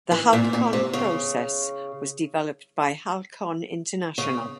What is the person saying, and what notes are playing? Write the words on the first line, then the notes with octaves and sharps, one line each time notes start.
The Halcon process was developed by Halcon International.
E3
A#2
A#2
C3
C#3
C#3